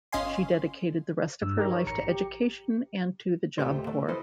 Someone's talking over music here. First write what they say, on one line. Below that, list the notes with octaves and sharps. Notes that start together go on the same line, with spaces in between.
She dedicated the rest of her life to education and to the Job Corps.
G#1 C#4 D#5 F5 G#5 C6
G2 E6
D#4 G4 A#4 A#5
C#5
A1 A#5 C#7
G4
D#2 A#2 D#3 A3 G4 C5
D3 A3
E4 A4 B4 C5 D#5